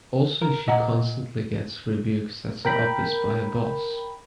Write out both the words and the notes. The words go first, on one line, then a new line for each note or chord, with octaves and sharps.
Also she constantly gets rebuked at her office by her boss.
A#4
A#2 D#5 F#5 A#5
A#4 G5 B5